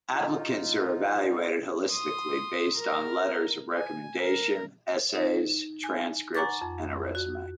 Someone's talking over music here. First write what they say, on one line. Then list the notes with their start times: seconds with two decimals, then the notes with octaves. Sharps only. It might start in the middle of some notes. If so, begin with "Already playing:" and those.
Applicants are evaluated holistically based on letters of recommendation, essays, transcripts, and a resume.
0.13 D#4 F4
1.92 C6 D#6
2.78 A#4 F6
3.75 G#5
4.21 A#4
5.15 D#4
5.84 G#5
6.35 F#5 G#5 A#5 C#6 D6 A6
6.62 F2
7.15 F#4